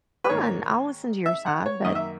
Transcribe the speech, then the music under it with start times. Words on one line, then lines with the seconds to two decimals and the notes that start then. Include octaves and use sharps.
fine, I'll listen to your side, but
0.24 B4
0.29 G#2 D#3 A#3 C#5
1.26 E5
1.46 F#5
1.66 C#5
1.85 F#2 D#3 A#3 D#5
1.95 E5